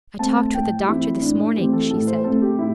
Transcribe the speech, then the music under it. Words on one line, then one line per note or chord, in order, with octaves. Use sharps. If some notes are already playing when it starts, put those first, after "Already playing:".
'I talked with the doctor this morning,' she said.
A3 C4 A5
A2 G5
G4
E3 A3 C4 E4
A2 D4
E4
E3 A3 C4 G4
A4
A2 A4
C5
A3 C4 A4
G4
A2 E4